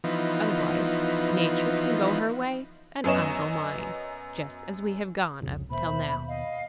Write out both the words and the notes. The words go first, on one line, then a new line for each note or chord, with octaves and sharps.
Otherwise, Nature can go her way and I go mine, just as we have gone up till now.
E3 F3 B3 D#4
F#2 B3 C#4 C#5 D#5 E7
C2 F2 C#3
D#2 B2 C5 E5 B5
D#5 F5